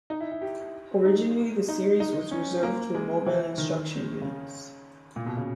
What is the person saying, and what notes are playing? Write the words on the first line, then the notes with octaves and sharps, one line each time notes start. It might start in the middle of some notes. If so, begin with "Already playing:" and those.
Originally the series was reserved for Mobile Instruction units.
D#4
E4
E4
G4
D#4
D#4
D#4
C#4
A#3
G#3
E3
D#3
C#3
A#2
B2
C#3